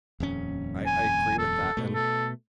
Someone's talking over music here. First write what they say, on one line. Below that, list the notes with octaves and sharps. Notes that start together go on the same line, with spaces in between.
I I agree with that, and
D#1 F2 C#4
G#5
A4
B2 A3
A4